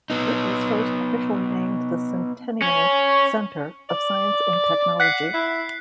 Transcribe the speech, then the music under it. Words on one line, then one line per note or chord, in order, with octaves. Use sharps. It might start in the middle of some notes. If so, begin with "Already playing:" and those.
It was first officially named the "Centennial Centre of Science and Technology".
B3 D#4
C#4
D5
F#5 F#6 B6 C7
E4